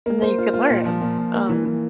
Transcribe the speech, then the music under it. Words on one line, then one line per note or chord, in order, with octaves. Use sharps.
and then you could learn, um.
A#3
C5
F4
F4
A#2
F3
A#2
A#2
A#3
E3
E3